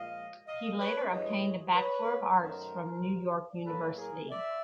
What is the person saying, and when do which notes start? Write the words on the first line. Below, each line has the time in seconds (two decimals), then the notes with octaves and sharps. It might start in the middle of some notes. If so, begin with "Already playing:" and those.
He later obtained a Bachelor of Arts from New York University.
Already playing: A#2 F3 G#3 D#5 F5
0.47 D#5 F5
0.78 B4 C#5
1.10 G2 E3 G#3 C#5 D#5
1.74 B4 C#5
2.38 F#2 D#3 F#3 A3 A#4 C5
3.65 A2 F#3 A#3 A4 B4
3.97 G#4 A#4
4.29 D5 E5